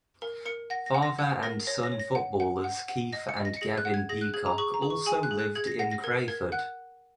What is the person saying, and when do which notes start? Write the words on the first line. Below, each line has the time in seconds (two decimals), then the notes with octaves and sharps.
Father and son footballers Keith and Gavin Peacock also lived in Crayford.
0.22 A#4
0.46 A#4 C#7
0.70 F#5 A#6
0.86 A#6
0.94 F#5
1.02 A#6
1.18 F#5 G#6
1.43 A#4 A#6
1.67 C#5 A#6
1.83 A#6
1.92 C#5
1.99 A#6
2.15 F#5
2.40 F#5
2.64 F#5
2.89 F#5
3.13 D#5 A#6
3.29 C#7
3.37 D#5
3.45 A#6
3.57 C#7
3.61 G#4 A#6
3.78 F#6
3.85 F#5
3.94 G#6
4.09 G#4 A#6
4.21 F#6
4.34 G#4 G#6
4.46 A#5
4.58 G#4 C#6
4.74 A#5
4.82 G#4
4.90 C#6
5.06 G#4 G#5
5.23 F#6
5.31 G#4
5.39 F#6
5.55 G#4 G#6
5.67 A#6
5.79 F#5 A#6
5.91 A#6
6.04 A#4 G#6
6.28 A#4 G#6
6.52 F#5 F#6